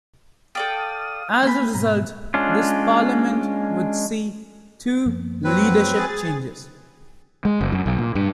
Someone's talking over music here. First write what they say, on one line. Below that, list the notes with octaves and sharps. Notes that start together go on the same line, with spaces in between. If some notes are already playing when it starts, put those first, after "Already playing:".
As a result, this Parliament would see two leadership changes.
A4 D5 F5 G5 D#6 A6
A3 A#3 G#5 B5 C6
G#2 B2 A#5
G#3 C#4 D4 F4
F#2 F3 A#3
F#3 C4 B4
G#4 A6
G#3
F#1
F#2
B1
A#2
G2